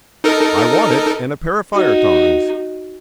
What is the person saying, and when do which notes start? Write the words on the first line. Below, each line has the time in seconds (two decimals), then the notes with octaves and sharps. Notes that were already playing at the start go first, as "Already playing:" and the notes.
"I want it, and a pair of fire-tongs."
0.24 D#4 A4 A#4
1.73 D#4 F#4